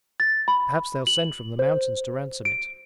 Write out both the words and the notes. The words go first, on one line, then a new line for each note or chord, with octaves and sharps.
Perhaps they'll send from the mountains to ransom it.'
A6
B5
F#7
C5
D7